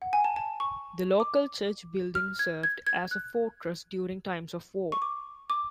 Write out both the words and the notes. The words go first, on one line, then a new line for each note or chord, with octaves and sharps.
The local church building served as a fortress during times of war.
F#5
G#5
A5
A5
C#6
D6
F6
G#6
G#6
G#6
F#6
C#6
D6
D6